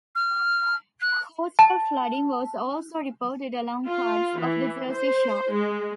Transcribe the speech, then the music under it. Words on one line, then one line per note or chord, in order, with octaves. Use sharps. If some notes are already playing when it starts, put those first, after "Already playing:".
Coastal flooding was also reported along parts of the Jersey Shore.
F6
F#6
A5
F4
E3
C5
G#3